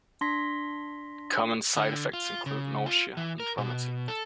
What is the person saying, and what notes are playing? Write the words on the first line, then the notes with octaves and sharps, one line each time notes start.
Common side effects include nausea and vomiting.
D4 C6 A#6 B6
D3
F4
C#3
F4
E3
A#4
B2
A4